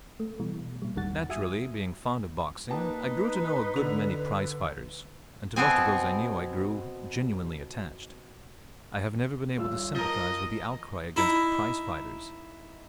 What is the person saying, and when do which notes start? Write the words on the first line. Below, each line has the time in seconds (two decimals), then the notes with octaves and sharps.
Naturally, being fond of boxing, I grew to know a good many prize-fighters, and to most of those I knew I grew genuinely attached. I have never been able to sympathize with the outcry against prize-fighters.
0.20 A3
0.40 B2 E3 G3
0.82 A#2 G3
0.96 G1 D#2 D#3 G3 F#5 A6
1.30 F#4 E5 G#5 D#6
2.70 A#3 D#4 G4 B4 A5
3.76 D3 F7
5.56 B2 B3 C4 G#5
9.58 D#1 F4 E6
9.95 F3 A#4 D#5 G7
11.16 D#4 E4